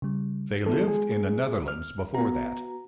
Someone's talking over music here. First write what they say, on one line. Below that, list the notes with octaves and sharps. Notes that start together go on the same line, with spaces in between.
They lived in the Netherlands before that.
C#3 G3
E3 B3 E4 A4
G#3 G#4
F6
B3 F#4 A#5